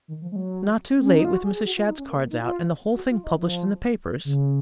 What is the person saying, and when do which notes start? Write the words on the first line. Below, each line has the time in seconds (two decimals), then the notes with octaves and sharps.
"Not too late with Mrs. Shadd's cards out and the whole thing published in the papers?"
0.08 D#3
0.22 F3
0.32 G#3
0.36 F#3
0.97 C4
1.06 C#4
1.15 D#4
1.25 F4
1.33 F#4
1.44 G#4
1.55 G#4
1.66 F#4
1.77 F4
1.87 D#4
1.98 C#4
2.09 A#3
2.31 D#4
2.41 F4
2.95 F#4
3.10 F4
3.24 D#4
3.39 F3
4.25 C#3